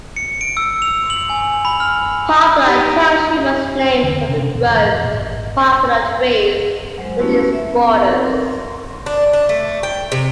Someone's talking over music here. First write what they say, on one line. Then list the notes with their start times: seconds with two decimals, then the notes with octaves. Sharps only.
Poplar Township was named from the groves of poplar trees within its borders.
0.16 C#7
0.41 D7
0.57 E6
0.82 F7
1.10 F#7
1.30 G#5
1.65 B5
1.80 F6
2.61 D#4 G4
4.03 E2 D3 E3 C#4
4.28 C3 C#4 D4
4.53 D#1 A1 B2
4.70 F2 A2 E3
5.03 G#1 A#2
6.98 F#3 G#3 C5
7.18 A3 C#4 E4 F#4 G4
7.53 E5
7.72 B3
8.03 C4 D#4 A4 B4 F#5
8.26 A#4
9.06 D4
9.33 D4
9.49 A3
9.83 G5
10.12 C3